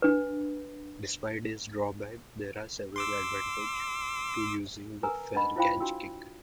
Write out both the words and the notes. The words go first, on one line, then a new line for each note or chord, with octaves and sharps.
Despite its drawbacks, there are several advantages to using the fair catch kick.
D4 B4
C6 D6 E6
A#4 B4 G#5 A#5
D4 D#4 B4 D#5 F#5 B5
E4 F4 C5 F5 G5 B5
D4 F#4 G5 E6